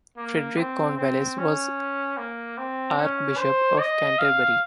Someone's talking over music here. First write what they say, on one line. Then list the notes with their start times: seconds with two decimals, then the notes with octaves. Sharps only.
Frederick Cornwallis, was Archbishop of Canterbury.
0.17 A#3
0.57 C4
0.97 C4
1.38 C#4
2.17 A#3
2.57 C4
2.98 C#4
3.38 C5
3.79 D#5
4.19 F5